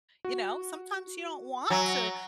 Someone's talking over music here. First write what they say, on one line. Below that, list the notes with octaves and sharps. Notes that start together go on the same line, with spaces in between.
you know, sometimes you don't want to
F#4
F#3 G#5 A#5 E6